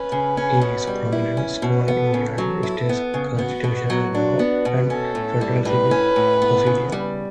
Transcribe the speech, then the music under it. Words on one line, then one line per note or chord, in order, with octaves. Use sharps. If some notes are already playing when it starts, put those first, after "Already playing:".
He is a prominent scholar in United States constitutional law and federal civil procedure.
Already playing: C#4 B4
C#3
C#4
B2
G3
E4
C#4
B2
B3 A4
C#3
F#3
E4
B3
C#3
B3 F#4
B2
F#3
D4 F#4
B3
B2
C#4 A4
A2
G3
A2 B4
C#4
A2
B3
C#3
G3